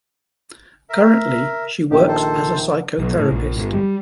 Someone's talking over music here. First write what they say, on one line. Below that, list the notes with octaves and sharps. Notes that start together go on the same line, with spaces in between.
Currently, she works as a psychotherapist.
A#4 E5
A#1 D#3 A#3 G4
A4 C5
B1
A2
A#1
G1
G3